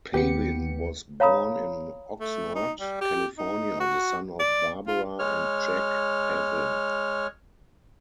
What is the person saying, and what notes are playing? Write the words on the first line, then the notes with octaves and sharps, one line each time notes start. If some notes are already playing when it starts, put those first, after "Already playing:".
Pavin was born in Oxnard, California, the son of Barbara and Jack Pavin.
D#2 B3 G4 C#7
C#5 F5 A#5 B5 D#6
A3
D#4
G3
G4
D#4
F#4
D5
F4
G#3 C#5 F6